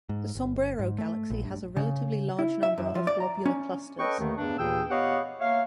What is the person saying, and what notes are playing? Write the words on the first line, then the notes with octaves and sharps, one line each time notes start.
The Sombrero Galaxy has a relatively large number of globular clusters.
G#2
G1
G#2
A3
A#1
G2
C#3
E4
E5
F#2
F3
D5
A#5
C#4
A4 B4 C#5 D#5 G5 C#6
D#2 D3 D#3 A3
E2 G2 D4
D#2 A#2 E3 G#4 G5 E6
B3 G4 C#5 D#5 F5 F#5
A#3 C#5 E5 F5